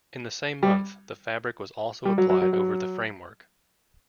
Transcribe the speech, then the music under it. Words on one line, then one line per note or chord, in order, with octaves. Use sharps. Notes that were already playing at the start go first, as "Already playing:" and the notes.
In the same month, the fabric was also applied over the framework.
G3
G3
F#3
F#3
F#3
F#3